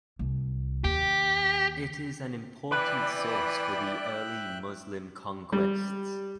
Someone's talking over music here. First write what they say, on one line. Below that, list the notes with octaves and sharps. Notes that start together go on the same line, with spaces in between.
It is an important source for the early Muslim conquests.
C2
D#2 G4
E3 B4 D5 E5 G5 F#6
G3